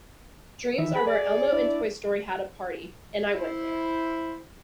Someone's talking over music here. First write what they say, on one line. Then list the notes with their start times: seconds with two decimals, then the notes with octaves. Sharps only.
Dreams are where Elmo and Toy Story had a party, and I went there.
0.78 D#3 E3 E5
0.95 G#4 B5
1.07 D5
1.53 D4 E4
3.33 E4 C5